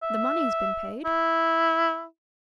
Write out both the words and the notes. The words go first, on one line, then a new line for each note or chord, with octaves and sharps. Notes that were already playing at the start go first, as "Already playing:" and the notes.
The money has been paid.
E5
E4